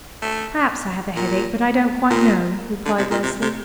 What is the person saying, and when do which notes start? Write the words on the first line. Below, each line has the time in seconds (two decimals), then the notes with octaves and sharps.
"Perhaps I have a headache; but I don't quite know," replied Leslie.
0.22 A3
1.16 A#2
2.10 A#2
2.85 D3
2.98 C3
3.11 A#2
3.23 C3
3.42 C3